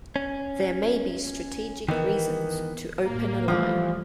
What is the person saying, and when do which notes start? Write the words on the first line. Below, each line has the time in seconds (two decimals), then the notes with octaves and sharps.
There may be strategic reasons to open a line.
0.16 C#4
1.89 D#3 E3 B3 A#4 D#5 G5
3.06 A2 A#3
3.48 E3 F3 G3 A3